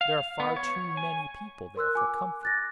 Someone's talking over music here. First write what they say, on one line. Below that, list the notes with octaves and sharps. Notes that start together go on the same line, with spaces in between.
There are far too many people there for comfort.
F5
B3
C#5
G#5
A#4 C6 E6 F#6
G#5 D6
F#6 A6 A#6